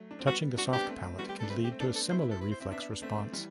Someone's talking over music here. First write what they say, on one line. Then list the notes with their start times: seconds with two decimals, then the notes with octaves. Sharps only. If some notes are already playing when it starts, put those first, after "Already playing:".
Touching the soft palate can lead to a similar reflex response.
Already playing: F#3 A3
0.11 D4
0.19 C4
0.27 G3 B3 F#4
0.57 D4 F#4
0.66 C4
0.73 B3 D4 G4
0.88 A3 C4
1.18 G3 B3 F#4
1.29 G4
1.40 A4
1.43 D4
1.50 A3 C4 B4
1.64 G4
1.72 C4
1.80 B3 D4 A4
1.95 A4
2.11 C4 E4 C5
2.21 B4
2.31 A4
2.41 B4
2.51 C5
2.60 C4 E5
2.71 B3 D4 E5
2.82 E5
3.02 A3 C4 E5
3.32 E3 G3